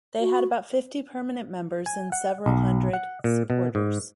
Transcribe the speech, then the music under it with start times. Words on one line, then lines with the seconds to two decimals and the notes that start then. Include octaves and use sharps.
They had about fifty permanent members and several hundred supporters.
0.20 F#4
1.86 G#5
2.12 F#5
2.46 B1
2.93 F#5
3.24 A#2
3.50 B2
3.75 G#2